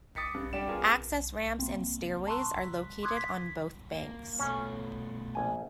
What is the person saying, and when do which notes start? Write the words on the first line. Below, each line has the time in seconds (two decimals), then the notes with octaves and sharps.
Access ramps and stairways are located on both banks.
0.16 D6 D#6 A6 B6 C#7
0.34 G2
0.53 G3 D4 G4 D5 D6 E7
0.67 B3 C#4 F4 G#4 A#4
1.59 A#3 C4
2.27 A5 A#5 C6 C#6 E6 F#6
2.56 B6
3.03 C6 D6 D#6 F6 F#6 G#6
3.17 B6
3.92 A#3
4.39 B2 A3 C#4
5.35 A#1 G#5